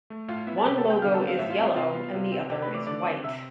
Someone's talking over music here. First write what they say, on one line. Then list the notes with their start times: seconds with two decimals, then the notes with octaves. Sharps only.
One logo is yellow and the other is white.
0.10 A3
0.28 A2 F4 F5
0.47 B3 E4 E5
0.58 A5
0.65 C3 G4 G5
0.78 A4 A5
0.84 B3
0.90 G5 G6
1.02 D3 F5 F6
1.14 A4 A5
1.21 C4
1.27 F5
1.39 A2 E5
1.50 F4 F5
1.58 C4
1.76 C3 F4 F5
1.95 B3
2.14 C3
2.32 C4
2.50 C3 G4 G5
2.62 B4 B5
2.68 A3
2.74 D5 D6
2.87 D3 D5 D6
3.06 C4
3.24 C3 E5 E6